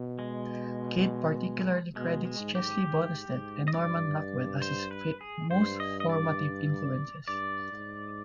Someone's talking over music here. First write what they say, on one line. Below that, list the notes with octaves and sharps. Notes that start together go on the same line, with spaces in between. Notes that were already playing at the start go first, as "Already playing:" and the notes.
Kidd particularly credits Chesley Bonestell and Norman Rockwell as his most formative influences.
Already playing: B2
G#3
B2 G#3
G#3
G#2
G4
G#2
G#2
D#5
G2 D5
C5
B4
G#4
G2 C5
D#5
D#5
D5
G2 D5
G#2